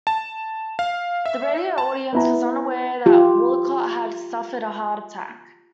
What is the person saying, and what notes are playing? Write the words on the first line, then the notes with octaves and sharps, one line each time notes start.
The radio audience was unaware that Woollcott had suffered a heart attack.
A5
F5
E5
A5
B3 E4 A#5
F4 G4